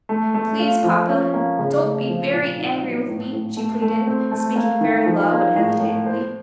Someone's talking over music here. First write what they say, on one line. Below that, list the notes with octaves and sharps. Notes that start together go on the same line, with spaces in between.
"Please, papa, don't be very angry with me," she pleaded, speaking very low and hesitatingly.
A3
A3
F4
F3
C#4
A#3
C#3
A3
F3
A#2
D#4
F#3
A2
A2
A3
A3
C4
A3
A#3
D#3
F3
A#3
A2
A2
C5